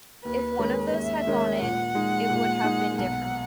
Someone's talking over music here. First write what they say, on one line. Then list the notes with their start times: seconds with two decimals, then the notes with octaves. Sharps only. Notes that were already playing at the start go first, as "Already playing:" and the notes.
If one of those had gone in it would have been different.
0.24 D#2 B4
0.59 D#3 G#3 C#4
0.93 D#2 E5
1.27 D#3 G#3 C#4
1.61 A#2 F#5
1.95 G#3 D#4
2.30 A#2
2.63 G#3 D#4
2.98 B1 F#5